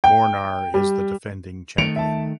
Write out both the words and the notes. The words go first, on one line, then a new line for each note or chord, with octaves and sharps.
Mornar is the defending champion.
G5
G3
D#3 A3 C#7 D7 F7
E5 A5